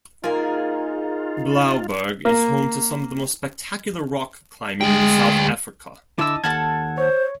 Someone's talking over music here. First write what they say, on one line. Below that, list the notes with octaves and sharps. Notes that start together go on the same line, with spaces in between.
Blouberg is home to some of the most spectacular rock climbing in South Africa.
A#3 D#4 F4 G#4 A#4 G#5
A#3
D2 G#3 G5
D3 E4 D#5 A5 D6 E6
D#2 A4 F#5 A5 F6 G#6
C5 C#5